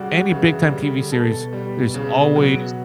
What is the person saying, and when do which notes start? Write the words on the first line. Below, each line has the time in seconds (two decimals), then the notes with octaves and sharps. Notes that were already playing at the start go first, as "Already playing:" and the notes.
any big-time TV series- there's always
Already playing: C#3 G3 F#4
0.29 C#3 E3
0.70 D3 G3
1.12 B2 A4
1.53 G3
1.94 C#3
2.36 F#3